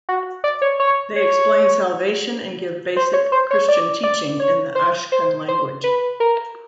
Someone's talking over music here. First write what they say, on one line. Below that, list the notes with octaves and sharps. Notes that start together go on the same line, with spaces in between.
They explain salvation and give basic Christian teaching in the Ashkun language.
F#4
D5
C#5
C#5
C#5
C5
C#5
C5
C#5
D5
D5
C#5
C5
C5
C5
B4
A#4